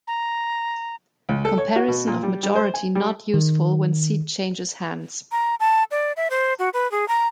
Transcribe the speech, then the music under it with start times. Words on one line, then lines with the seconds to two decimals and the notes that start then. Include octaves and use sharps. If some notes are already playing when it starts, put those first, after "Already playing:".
Comparison of majority not useful when seat changes hands.
0.07 A#5
1.29 C#2
1.45 A4
1.58 C#5
1.76 F#4
1.88 B2
2.07 A#2
2.23 G3
2.43 G3
2.55 C5
2.74 G#5
2.95 G3
3.34 D#3
5.32 A#5
5.60 A5
5.91 D5
6.17 E5
6.30 C5
6.59 F#4
6.73 B4
6.91 G#4
7.08 A#5